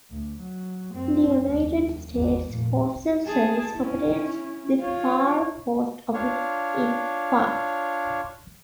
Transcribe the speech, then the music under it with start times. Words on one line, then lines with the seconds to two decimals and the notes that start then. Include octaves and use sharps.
The United States Postal Service operates the Pharr Post Office in Pharr.
0.11 D2
0.41 F#3
0.92 F#2 C4
1.41 F1 D#2
2.13 G#1 E2
2.51 F1 A#2
3.26 G#4 A5
3.74 C#4 E4
4.80 F4 C#5
6.14 D4 F4 C#5